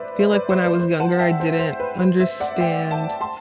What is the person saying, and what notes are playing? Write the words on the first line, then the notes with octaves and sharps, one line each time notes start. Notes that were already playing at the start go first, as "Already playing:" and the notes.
feel, like, when I was younger, I didn't understand
Already playing: B4 C5 D5 E5
C5 E5
B4 D5
C5
B4
C5
F#5 A5
E5 G5
C5
C5
B4
C5
C5 E5
D5 F#5
E5 G5
F#5 A5
A5 C6